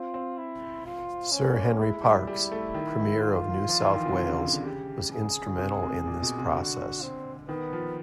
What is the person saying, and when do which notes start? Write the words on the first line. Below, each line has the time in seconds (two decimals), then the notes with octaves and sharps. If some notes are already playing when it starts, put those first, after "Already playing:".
Sir Henry Parkes, Premier of New South Wales, was instrumental in this process.
Already playing: C4 F4
0.14 C4
0.37 E4
0.86 F4
1.32 C#4
1.56 A#3
1.79 G#3 E4
2.04 G3
2.27 G3
2.52 A3
2.74 D#3
3.21 F4
3.69 F3
3.81 E3
3.93 D#3
4.06 C3
4.17 C3
4.29 C#3
4.40 D3
4.52 D3
4.64 C#3 G4
5.11 G#4
5.48 C#3
5.59 C3
5.83 C3
6.06 A#2
6.22 B2
6.38 C3
6.54 D3 F#4
7.02 C4
7.48 D#3 B3
7.73 F3